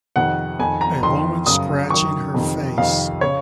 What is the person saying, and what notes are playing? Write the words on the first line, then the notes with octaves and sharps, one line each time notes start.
A woman scratching her face.
F2 C3 D#3 F#5
F2 D#3 G#5
A#5
F2 D#3 C6
F#2 C#3 D#6
F#2 D#3 C#6
F2 C3 D#3
F2 C3 D#3 F5
C#3 C#5